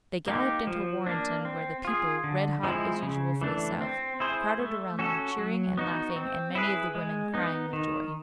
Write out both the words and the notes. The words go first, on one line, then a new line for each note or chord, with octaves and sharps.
They galloped into Warrenton where the people, red hot as usual for the South, crowded around them cheering and laughing and many of the women crying with joy.
A#3 D#4 G4
F3
A#3 D4
C4
F4 G#4
D3
F3 G#3 C4 E4
C#3
E3 A3 D4
C4
E4 G#4 C5
A3
C#4 F#4 A4
F#3
B3 D#4 F#4
C4
E4 G#4 B4
G#3
B3 D#4
D#3